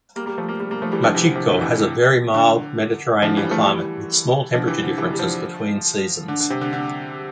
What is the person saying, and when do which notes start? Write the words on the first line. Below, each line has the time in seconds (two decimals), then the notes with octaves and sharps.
Machico has a very mild Mediterranean climate with small temperature differences between seasons.
0.16 G3 A#3
0.26 G3 A#3
0.38 F3 A3
0.48 G3 A#3
0.60 G3 A#3
0.70 G3 A#3
0.82 F3 A3
0.92 E3 G3
1.03 D3 F3
1.14 C3 E3
1.25 D3
1.35 C3
1.46 D3
1.61 C3 E3
2.34 D3
3.22 D3 F3
3.37 E3 G3
3.51 F3 A3
3.66 E3 G3
4.54 D3 F3
4.68 C3 E3
4.83 D3
4.98 E3 G3
5.13 G3
5.19 D3 F3
6.28 D3
6.40 D3
6.50 C3
6.61 D3
6.73 D3